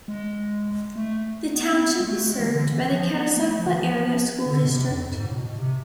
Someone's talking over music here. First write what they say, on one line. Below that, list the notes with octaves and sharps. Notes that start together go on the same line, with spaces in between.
The Township is served by the Catasauqua Area School District.
G#3
A3
B3
C4
B3
G#3
A3
G#3
E3
D3
D3
E3
F3
B3
B3
A3
F3
E3
F3
D3
B2
C3
F2
G#2
A2
B2
B2
C3